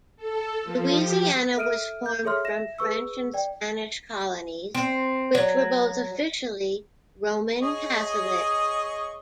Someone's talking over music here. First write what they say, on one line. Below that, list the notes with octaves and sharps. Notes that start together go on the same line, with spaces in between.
Louisiana was formed from French and Spanish colonies, which were both officially Roman Catholic.
A4
F3
G4
A4 E5 F6 D7 D#7
G6
G#4 A4 C#5 E5 C6 F6
E5 A#6 E7
G#4 B4 C#6 E6
D5 G5
C4
F#3
G#4 C#5 D#5